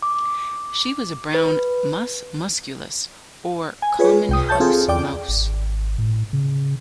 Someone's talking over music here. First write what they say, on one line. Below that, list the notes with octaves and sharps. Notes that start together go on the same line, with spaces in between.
She was a brown "Mus musculus" or common house mouse.
D6
B4
G#5
F4 G#4 B4 C#5
C2 G5 D#6
C#5 E5 A5 G6
C4 F4 G#4 A4
E2 D5 G5 D6
G#1
A2
C#3